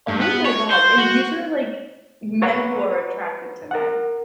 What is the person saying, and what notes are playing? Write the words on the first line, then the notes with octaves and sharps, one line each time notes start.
Oh my god, and these are, like, men who are attracted to men.
G2
B3
C#5
C5
F#4
B4 C#5 F#5 A#5 B5
A#4 F#5